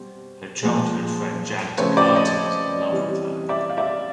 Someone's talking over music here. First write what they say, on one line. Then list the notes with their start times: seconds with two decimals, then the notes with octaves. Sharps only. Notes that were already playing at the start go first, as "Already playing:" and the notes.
Her childhood friend Jad Takarty is in love with her.
Already playing: B2 G3 C4
0.63 A#2 F3 G#3
1.78 C#3 F3 A3 C4 B4 C#5
1.97 C5 D5
2.15 C#5 D#5
2.92 C3 E3 G3
3.49 D5 E5
3.70 F5
3.77 D5 E5